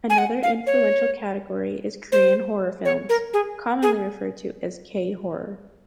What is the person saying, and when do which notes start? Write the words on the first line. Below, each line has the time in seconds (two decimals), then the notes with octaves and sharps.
Another influential category is the Korean horror films, commonly referred to as "K-horror".
0.10 G#5
0.18 F#5
0.43 F5
0.67 C#5
2.12 C5
2.85 C#5
3.09 A#4
3.33 G#4
3.83 G#4